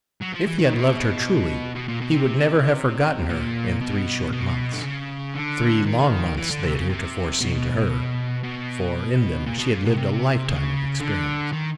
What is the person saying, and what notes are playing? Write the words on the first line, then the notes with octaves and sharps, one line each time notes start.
If he had loved her truly, he would never have forgotten her in three short months,--three long months they had heretofore seemed to her, for in them she had lived a lifetime of experience.
F#3
F3
E3
D#3
B2
B2
A#2
B2
C3
A#2
B2
B2
D3
C#3
D3
D#3
E3
D3
C3
C#3
C3
B2
B2
A#2
B2
A#2
B2
C3
C#3
D3
D#3